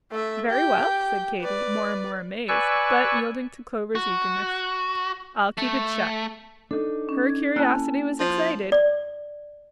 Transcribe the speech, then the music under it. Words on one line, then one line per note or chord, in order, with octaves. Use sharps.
"Very well," said Katy, more and more amazed, but yielding to Clover's eagerness, "I'll keep it shut." Her curiosity was excited.
A3 E5
G4 G5
B4 D5
B4 D5 G#5 C#6 E6 F#6
F#4
A3
D4 D#4 A4
C#4
G#6
A#3 C#4 E4 G#5 A5 F#6
F3
D5